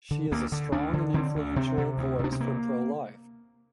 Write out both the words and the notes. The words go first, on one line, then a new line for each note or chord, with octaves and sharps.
She is a strong and influential voice for "pro-life".
D3
D2 A#3
D3
D2 D4
D3
D3 C4
D2
C3 C4
C3
D2
C3
D4
C4
A#3